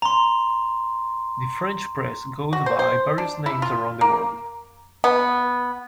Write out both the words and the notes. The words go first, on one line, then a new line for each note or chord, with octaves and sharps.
The French press goes by various names around the world.
A#5 C6
F#4
C5
C5
D4
E4
F4
A#3
B3